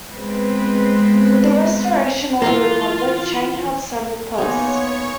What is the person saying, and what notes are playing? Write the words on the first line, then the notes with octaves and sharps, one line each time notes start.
With the restoration of the Republic, Chang held several posts.
G#3 B3 C4 B4
E3 A#3 F4
A#3 B3 D#4 G#4 C#5 G#5 C6